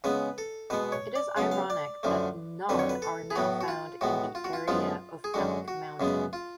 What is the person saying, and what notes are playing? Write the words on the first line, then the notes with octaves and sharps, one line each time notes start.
It is ironic that none are now found in the area of Elk Mountain.
C#3 G#3 B3 B4
A4
B2 G#3 B3 B4
C#5
D5
C#3 F#3 B3 F5
F5
D5
F#2 D3 F3 A3
F2 D3 F#3 B4
C#5
B4
A4
G#4
A2 F#3 B3 F#4
F#4
F4
A2 G#3 B3 F#4
F4
F#4
F4
F#2 F3 G#3 B3 F4
G#4
F#2 D3 G#3 F#4
F#4
F#2 C#3 G#3 B3
F4